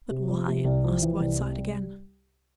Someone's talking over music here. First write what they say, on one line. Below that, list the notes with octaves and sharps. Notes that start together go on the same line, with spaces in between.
"But why?" asked Whiteside again.
C3
F3
C3
C2
F3
E3
C2
C3
G3